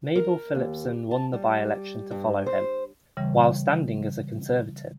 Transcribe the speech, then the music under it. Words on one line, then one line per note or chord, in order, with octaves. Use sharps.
Mabel Philipson won the by-election to follow him, while standing as a Conservative.
A#4
D#2
A5
G3
G2
C5
C#3 E3 G3